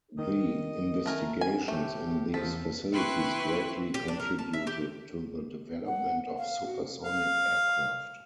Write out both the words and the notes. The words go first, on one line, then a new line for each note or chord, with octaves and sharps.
The investigations in these facilities greatly contributed to the development of supersonic aircraft.
D#3 D#5
A3 A#4 G#5
G#5
A2 A3 G4
E2 D#3 F3 A4 B6
E4 B4 G5 C6 C#6 F#6
G4
D4
A#4
A5
E5
G4
F#5
F5
F#4
F5